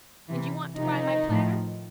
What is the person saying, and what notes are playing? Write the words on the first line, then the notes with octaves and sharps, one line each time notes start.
And you want to buy my platter.
C3 E3
C3 D#3 F3 D#4
A2 F3